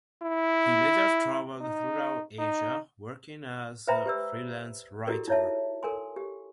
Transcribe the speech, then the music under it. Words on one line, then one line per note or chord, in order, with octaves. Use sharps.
He later traveled throughout Asia working as a freelance writer.
E4
D#4
D#4
B4 C5 E5 G5 A#5 B5
G4 B4 D5 E6
E4 F#4 G4 A4 A#4 D5
D#4 E4 C#5 E5 A5
A4 A#4 G#5 C6
G4